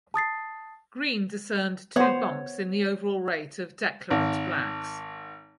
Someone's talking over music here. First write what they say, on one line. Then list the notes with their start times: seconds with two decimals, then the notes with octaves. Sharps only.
Green discerned two bumps in the overall rate of declarant blacks.
0.14 A5 D#6 A6 C7
1.96 B3 C5 C#5 F#5
4.10 G#1